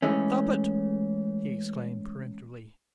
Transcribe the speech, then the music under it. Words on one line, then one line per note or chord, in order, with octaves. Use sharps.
"Stop it!" he exclaimed peremptorily.
E3 G#3 A3 C#4